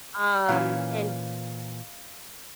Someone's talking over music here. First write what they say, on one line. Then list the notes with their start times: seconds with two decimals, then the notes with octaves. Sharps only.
um, and
0.49 A#2 E3 C#4 F5